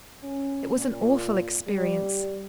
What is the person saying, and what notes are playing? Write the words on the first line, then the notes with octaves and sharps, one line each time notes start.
It was an awful experience.
C#4
A#2
G3